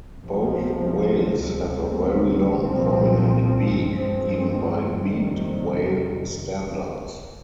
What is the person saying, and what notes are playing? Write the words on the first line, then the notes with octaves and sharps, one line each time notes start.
Both whales have a very long prominent beak, even by beaked whale standards.
C2 C3 F3
D2 C3 G3 C4
C2 A#2 F3 C4
G2 F3 G#3 C4
F2 C3 D#3 G3